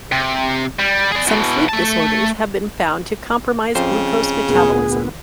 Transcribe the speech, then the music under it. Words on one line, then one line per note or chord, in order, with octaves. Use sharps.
Some sleep disorders have been found to compromise glucose metabolism.
C3
G3
G#4 D5
E2 B2
A3 A5
F2 C#3 C5
D2 A#2 B3 G#4